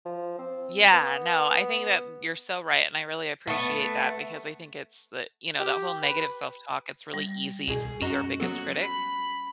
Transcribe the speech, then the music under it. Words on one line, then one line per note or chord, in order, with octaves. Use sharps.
Yeah, no, I think that you're so right, and I really appreciate that because I think it's the, you know, that whole negative self-talk, it's really easy to be our biggest critic.
F3
C4
B3
A3 B3
G4
B4
G3
C2 B2 G#4
F#2 C#4 F#4 D#5 A#5
F#3 B3 F#4 A4
B5